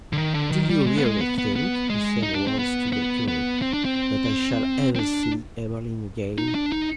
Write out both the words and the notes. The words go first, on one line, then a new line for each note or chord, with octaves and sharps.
"Do you really think," he said once to the curate, "that I shall ever see Emmeline again?"
D3
D#3
D3
D#3
G3
G#3
B3
G#3
B3
B3
B3
G#3
D#4
D4
C4
B3
B3
B3
C4
D4
C4
C4
D4
D#4
D4
D#4